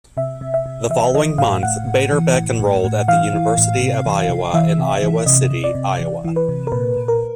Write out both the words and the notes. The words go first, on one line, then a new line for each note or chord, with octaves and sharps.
The following month, Beiderbecke enrolled at the University of Iowa in Iowa City, Iowa.
C3 E5
C3
E5
C3
E3 E5
E3 D#5
A2 F5
A2 F#5
A2
E3
A2
A2
A2
E3 F5
E3
A2
C3
E3
C3
E3 E5
C3
E3
C3 D#5
C3
D5
C3
E3
E3
B4
C3
A#4
A#2 B4
A#2
A#4